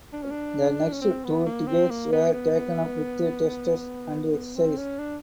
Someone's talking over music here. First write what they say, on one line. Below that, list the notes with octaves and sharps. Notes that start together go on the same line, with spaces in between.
The next two decades were taken up with tests and exercises.
D4
C#4
D4
C#4
C4
B3
A#3
C4
A#3
B3
B3
B3
C4
C#4
D4